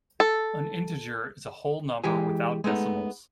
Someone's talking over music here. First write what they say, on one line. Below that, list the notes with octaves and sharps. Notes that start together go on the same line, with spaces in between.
An integer is a whole number without decimals.
A4
E3 G#3 G4 G#4
G#3 A3 B3 D#4